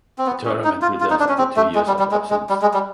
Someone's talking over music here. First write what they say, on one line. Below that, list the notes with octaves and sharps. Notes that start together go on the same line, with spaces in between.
The tournament returns after two years of absence.
C4
B3
C#4
D#4
F4
F4
D#4
D4
C#4
C4
A3
G#3
G3
G3
G#3
G#3
G3
G#3
G3